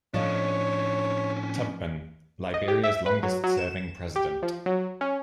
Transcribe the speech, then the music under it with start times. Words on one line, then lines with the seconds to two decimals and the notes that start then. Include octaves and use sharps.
Tubman, Liberia's longest serving president.
0.14 A2 F3 C#4 D4 A4 C#5 D#5
2.54 D#5
2.68 G4
2.84 E5
3.06 B4
3.23 F#3
3.44 F#3
3.57 E7
4.16 G4
4.42 F3
4.66 F#3
5.01 C#4